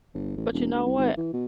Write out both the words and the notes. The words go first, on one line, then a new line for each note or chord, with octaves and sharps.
But, you know what?
G1
A1
E1
D2
C2
G#1
E3
B2